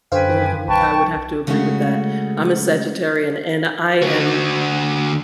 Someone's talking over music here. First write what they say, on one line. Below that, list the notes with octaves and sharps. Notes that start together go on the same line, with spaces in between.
Mhm, I would have to agree with that. I'm a Sagittarian, and I am,
F#2 D3 B4 C5 F5 G5 G#5
B1 B4 G5 A5 C#6
C#3 G#3 A3 C#4 F#4
D3 F#4